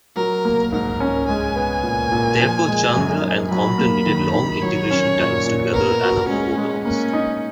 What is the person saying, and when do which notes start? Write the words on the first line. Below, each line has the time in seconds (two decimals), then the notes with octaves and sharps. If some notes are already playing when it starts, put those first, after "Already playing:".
Therefore, Chandra and Compton needed long integration times to gather enough photons.
0.16 F#3 A#4
0.45 A#3
0.72 G#2 A#4
1.00 C#4
1.28 G#3 G#5
1.56 B3
1.83 A#2
2.12 A#2
2.40 F3
2.67 G#3
2.95 F#2
3.23 D#4
3.51 F#3 B5
3.78 A#3
4.06 D#3
4.35 D#3
4.62 F#3 C#5
4.91 C#4
5.18 A#2
5.46 A#2
5.73 B3 A#4
6.01 F#4
6.29 G#3 C#4
6.57 G#3
6.85 A#3 C#4
7.13 D#4